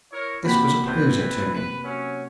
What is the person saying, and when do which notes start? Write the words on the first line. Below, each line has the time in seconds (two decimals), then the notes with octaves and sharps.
This was a poser to me.
0.11 E4 A#4 C#5
0.44 C3 A#3 F#4 B5
0.86 E3 C4 B4 C5 G6
1.53 B4
1.84 F#3 C#4